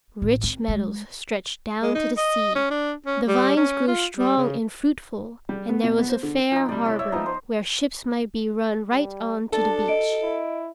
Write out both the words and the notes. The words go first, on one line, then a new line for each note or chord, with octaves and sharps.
Rich meadows stretched down to the sea, the vines grew strong and fruitful, and there was a fair harbor where ships might be run right on to the beach.
A1
C4
G#3
G#3
D#4
D#5
C#4
D4
C#4
G3
C#4
F4
G3
C#3
G3
B3
B2
B3
C5
D3
F3 D#4 G5
C3 G3 D5
C3 E4 C#5 D5
C#5 E5
F3 B3 D#4
C5
G3
D4 A4 A5 A6
D#5 D7
E4